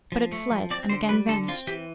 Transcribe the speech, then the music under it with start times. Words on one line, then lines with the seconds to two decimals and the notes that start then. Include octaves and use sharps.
But it fled, and again vanished.
0.12 F3
0.32 A3
0.51 F3
0.70 C4 D5
0.89 D3 C5
1.09 G3 B4
1.28 D3 A4
1.48 C4 F4
1.67 E3 G4